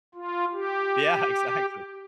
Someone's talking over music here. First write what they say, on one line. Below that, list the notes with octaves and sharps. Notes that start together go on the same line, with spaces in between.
Yeah, exactly.
F4
G4